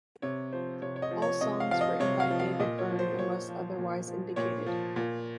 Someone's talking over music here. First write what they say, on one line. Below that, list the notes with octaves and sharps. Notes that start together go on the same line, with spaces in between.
All songs written by David Byrne unless otherwise indicated.
C3 C#5
F3 C5
C3 C#5
C#5
D#5
F3
C#5
C3 D#5
F5
F3 F5
D#5
C3 C#5
F5
F3
F5
A#2 D#5
C#5
F3
C5
A#2 C#5
F3
A#2
F3
A#2 C#5
F3
A#2